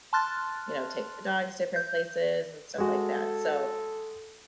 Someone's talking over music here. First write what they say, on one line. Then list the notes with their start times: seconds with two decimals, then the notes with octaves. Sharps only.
you know, take the dogs different places and stuff like that, so
0.13 A5 C6 F6 F#6 A6
1.76 G6
2.78 G#3 F#4 A4